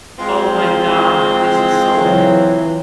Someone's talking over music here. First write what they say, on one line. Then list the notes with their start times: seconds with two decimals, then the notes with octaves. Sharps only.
"Oh my God, this is so bad."
0.19 G#3 C4 F4
1.99 E3 F#3